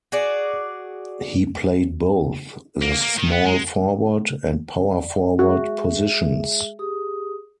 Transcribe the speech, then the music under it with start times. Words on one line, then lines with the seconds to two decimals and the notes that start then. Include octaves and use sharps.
He played both the small forward and power forward positions.
0.12 F#4 G#4 D5
2.82 A#3
3.02 A#3
3.18 D#3
3.32 B3
3.46 G#3
4.93 D5
5.39 G#3 F#4 G#4 E5
6.79 G4 G#4 D#6